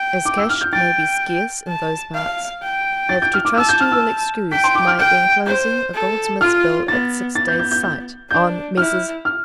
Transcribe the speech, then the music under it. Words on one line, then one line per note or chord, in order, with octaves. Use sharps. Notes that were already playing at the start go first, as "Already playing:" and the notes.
As cash may be scarce in those parts, have to trust you will excuse my enclosing a goldsmith's bill at six days' sight, on Messrs.
Already playing: G5
D6
E6
F6
G6
G5 A6
A5
F5
G5
A6
G6
F6
D6
A5 E6
G6
F6
E6
G5 B6
C6
D6
F6
G5 G6
C5 G6
A4
F4 F6
B3 A6
B3 A6
G6
G6
G6
G6
D4 G6
E4 F6
F6